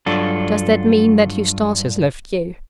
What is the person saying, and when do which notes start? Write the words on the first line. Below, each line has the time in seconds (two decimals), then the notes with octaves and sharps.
"Does that mean that Eustace has left you?"
0.06 G2 F#3 D4 F4 A4